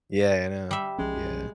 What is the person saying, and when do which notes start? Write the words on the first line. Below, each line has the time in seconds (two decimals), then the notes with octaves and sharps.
Yeah, I know. Yeah.
0.71 G3 E5
0.98 B1 F3 G#3 C#4